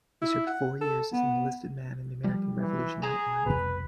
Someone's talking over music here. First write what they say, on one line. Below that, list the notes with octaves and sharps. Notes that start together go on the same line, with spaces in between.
He served four years as an enlisted man in the American Revolutionary Army.
E4
F#5
A4
B3
F3 G3
E3
G#4 G#5 A#5
F1 C2 B2 B4